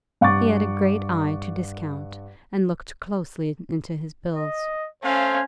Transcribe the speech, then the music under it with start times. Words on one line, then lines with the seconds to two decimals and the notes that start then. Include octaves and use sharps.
He had a great eye to discount, and looked closely into his bills.
0.21 G2 F#5 C#6 D6 A6
4.36 D#5
5.04 A3 C#4 C5 F5